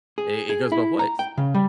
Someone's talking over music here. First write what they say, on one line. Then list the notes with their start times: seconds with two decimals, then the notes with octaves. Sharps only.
It it goes both ways,
0.18 G#4
0.49 G#4
0.72 E4
0.99 A#5
1.19 G5
1.38 C#3
1.54 G3